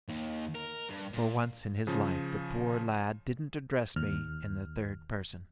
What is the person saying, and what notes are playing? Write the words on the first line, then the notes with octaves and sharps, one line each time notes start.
For once in his life, the poor lad didn't address me "in the third person."
D#2
A#4
G2
A#2
C#3 F3
D#2 F6